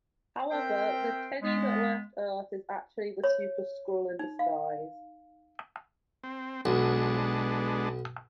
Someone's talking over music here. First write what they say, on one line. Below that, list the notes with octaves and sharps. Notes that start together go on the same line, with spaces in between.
However, the "Teddy" that left Earth is actually the Super-Skrull in disguise.
C4 A#4 C5 E5 G5
G#3 B3
C#5
D#4
F5
C4
B1 G#3 B3 D4